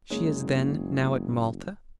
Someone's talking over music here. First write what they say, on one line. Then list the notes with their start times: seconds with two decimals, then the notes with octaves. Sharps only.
"She is, then, now at Malta?"
0.10 F#1 G#3 A#3 C#4